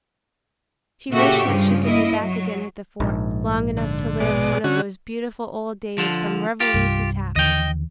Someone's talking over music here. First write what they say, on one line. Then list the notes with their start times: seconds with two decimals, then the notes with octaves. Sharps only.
She wished that she could be back again at the fort, long enough to live one of those beautiful old days from reveille to taps.
1.12 A#2 C#3 F#4 G4 A4 E5
1.47 G2 C#3 F3
1.85 A#3 E4 D#5
2.19 F#3
3.00 A#1 G#2
3.77 D3
4.20 B2 G#3 D5
4.64 D3 C#4 F#4
5.98 D3 F3
6.60 F4 G4
6.74 C2 G2
7.36 D#2 D3 E3 D#5 G5